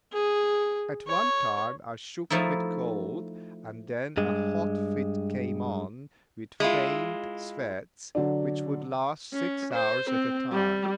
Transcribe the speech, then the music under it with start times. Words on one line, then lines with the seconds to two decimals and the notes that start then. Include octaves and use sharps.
At one time I shook with cold, and then a hot fit came on, with faint sweats, which would last six hours at a time.
0.12 G#4
1.08 C#5
2.30 F3 A3 D#4 E4
4.17 G2 G#3
6.60 G#3 E4 F4
8.15 D3 F#3 D4
9.34 C#4
9.74 C5
10.10 C4
10.52 G3